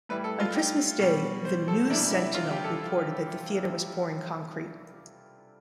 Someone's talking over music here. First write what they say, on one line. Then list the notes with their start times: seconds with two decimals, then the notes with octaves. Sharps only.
On Christmas Day the "News-Sentinel" reported that the theatre was pouring concrete.
0.09 A2 E3 G3 B4
0.24 A4
0.40 F4
0.54 G4
0.99 B2 G3
1.45 C5
1.68 A4
1.90 C3 E3 G3 D4
2.12 E4
2.34 F4
2.50 G4
2.64 A4